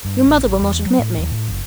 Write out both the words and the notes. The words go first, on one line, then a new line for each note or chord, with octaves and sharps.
"Your mother will not admit me."
G2
A1
A1
E2
F#3
A2
D#2
A2
F#1